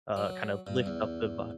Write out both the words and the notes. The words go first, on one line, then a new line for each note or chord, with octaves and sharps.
uh, kind of, lift up the vibe.
F#3
G2
E2